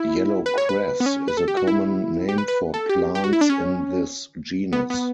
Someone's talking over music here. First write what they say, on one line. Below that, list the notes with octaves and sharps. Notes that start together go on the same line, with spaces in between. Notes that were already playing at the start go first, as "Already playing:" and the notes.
Yellowcress is a common name for plants in this genus.
Already playing: E4
B4
C#5
B4
B3
C#4
B4
A4
G4
F#4
E4
G4
B4
B4
A4
G4
G4
F#4
E4
D4
C#4
B3
B3